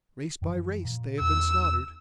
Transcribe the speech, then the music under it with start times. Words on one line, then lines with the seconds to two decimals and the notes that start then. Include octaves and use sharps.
Race by race they have been slaughtered.
0.42 F#2 E3 F3
0.85 A#2
1.21 E2 E6